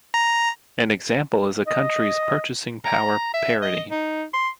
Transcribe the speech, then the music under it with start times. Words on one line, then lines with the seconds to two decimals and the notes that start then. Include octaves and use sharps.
An example is a country's purchasing power parity.
0.14 A#5
1.67 D#5
2.85 A#5
3.34 E5
3.62 D#5
3.91 D#4
4.34 C6